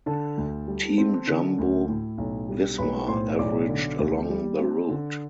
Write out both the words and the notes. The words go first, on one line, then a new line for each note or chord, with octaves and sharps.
Team Jumbo–Visma averaged along the route.
D3 A4 A5
D2
G3
C4
D3
D2
A2
B1
G3
B1 B4 B5
A2 C5 C6
B1 D5 D6
D3
D2
G3
C4
D3